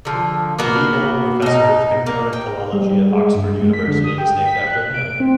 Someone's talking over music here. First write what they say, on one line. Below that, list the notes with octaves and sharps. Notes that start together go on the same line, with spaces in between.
The Diebold Professor of Comparative Philology at Oxford University is named after him.
D3 F3
A#3 B3 F#4
B2 D#4
A#3
G5
G3
G#3
G2
G#3
B6
D3
D#6
G5
B6
F#6
D7
C4